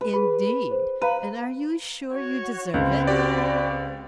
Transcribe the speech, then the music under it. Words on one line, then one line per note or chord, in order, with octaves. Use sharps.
'Indeed! and are you sure you deserve it?'
B4
G#4 B5
C5
B4 F5 A#5 D#7
F#4 C#5
C#2 C4
F#4 G4 D5